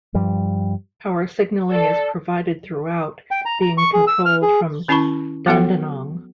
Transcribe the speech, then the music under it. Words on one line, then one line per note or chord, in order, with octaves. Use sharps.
Power signalling is provided throughout, being controlled from Dandenong.
G2 F3 G3
A4 D5
G5
A#5
A#5
C#6
G#4
E6
F6
G#4
D#3 C#4 E4 A5 B5 C#6
F#3 B3 F#4 A4 F#5 G5